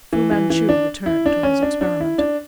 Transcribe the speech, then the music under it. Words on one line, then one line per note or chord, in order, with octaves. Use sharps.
Fu-Manchu returned to his experiment.
E3
E3
E3
D4
E4
D4
C#4
D4
D4
E4
D4